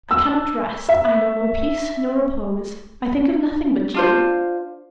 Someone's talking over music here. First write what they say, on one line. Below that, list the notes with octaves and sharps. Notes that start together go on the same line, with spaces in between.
I cannot rest; I know no peace, no repose; I think of nothing but you!
E6
E5
D4 F4 C5